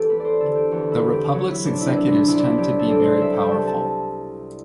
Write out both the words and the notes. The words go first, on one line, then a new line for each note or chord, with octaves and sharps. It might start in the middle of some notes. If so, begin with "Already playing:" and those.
The republics' executives tend to be very powerful.
Already playing: E2 C4 G4 A4
A3 B4
C5 D5
D3 A4
G4
E2 F#4
E4
C4
G4
F#3 F#4
E4
C3 D4
E4
C2 E4
D4
C2 E4
D4 E4
F#3 G4
A4
C3 D5
C5
C2 E5
G5
C2 A5
A5